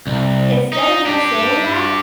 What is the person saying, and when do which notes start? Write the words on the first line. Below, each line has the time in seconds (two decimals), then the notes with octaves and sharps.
instead of me saying that,
0.07 C2
0.73 D#4
1.06 D4 G4